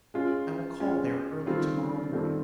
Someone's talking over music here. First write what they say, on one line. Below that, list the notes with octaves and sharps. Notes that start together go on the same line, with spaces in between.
I will call there early to-morrow morning.'
G#3 C#4 F4
G#3 C#4 F4
D#3 G3 C4 F4 A4
D#3 G3 C4 F4 A4